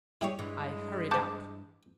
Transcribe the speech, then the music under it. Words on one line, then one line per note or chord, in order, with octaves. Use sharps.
I hurried out.
G3 E4 G4 G#4 C#5
G2 E3 G#3
C5 F#5 A5 D6 G6